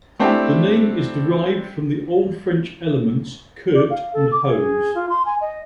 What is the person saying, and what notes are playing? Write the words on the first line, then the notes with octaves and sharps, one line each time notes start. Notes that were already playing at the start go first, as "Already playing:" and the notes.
The name is derived from the Old French elements "curt" and "hose".
A3 C4 D4 E4 G4
D5
F5
A4
D6
G#4
F4
C6
G#5
D#5